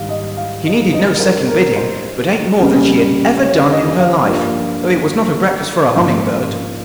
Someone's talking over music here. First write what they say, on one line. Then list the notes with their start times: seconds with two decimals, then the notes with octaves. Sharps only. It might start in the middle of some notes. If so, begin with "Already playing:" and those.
She needed no second bidding, but ate more than she had ever done in her life, though it was not a breakfast for a humming-bird!
Already playing: G#2 D#3 G3 F5
0.09 D#5
0.37 F5
0.65 D#5
0.93 G2 G3 C4 D#5
1.16 A#4
1.20 C5
1.48 A#4
1.76 C5
2.60 F2 C#3 G3 A#3 C#4
3.43 C#5
3.71 D#5
3.99 F5
4.28 G2 F3 A#3
5.94 G#2 F3 A#3 C#4 F5